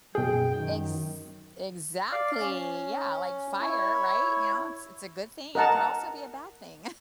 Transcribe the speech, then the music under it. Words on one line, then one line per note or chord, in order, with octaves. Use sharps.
Ex exactly, yeah, like fire, right, you know, it's it's a good thing, it could also be a bad thing,
F#2 B2 G#4 G5
F#2 D#3
D5 F5
C#4
E4 C#5
A#4 D#5 F#5 A5 A#5